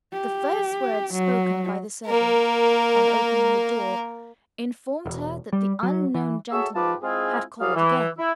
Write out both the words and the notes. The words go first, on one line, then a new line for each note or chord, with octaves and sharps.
The first words spoken by the servant, on opening the door, informed her that the unknown gentleman had called again.
G4
F#3
A#3 A#4
E1
G3
F#3
E3
F#4 G#4 A4 C#5 E5
G#2 F4 G4 B4 A5 D6
G#3 C4 E4 F4 G#4
C2 F#3 G3 G#4 F5
E3
E4